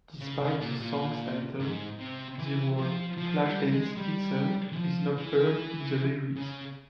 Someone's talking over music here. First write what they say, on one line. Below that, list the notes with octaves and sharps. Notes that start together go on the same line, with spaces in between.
Despite the song's title, the word "Flashdance" itself is not heard in the lyrics.
C#3
C#3
A#2
A#2
G#2
C3
E3
F3
F3
G3
G#3
G3
E3
F3
E3
C#3